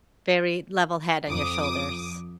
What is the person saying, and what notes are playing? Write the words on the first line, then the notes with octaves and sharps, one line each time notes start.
very level head on your shoulders.
F2 D6 D#6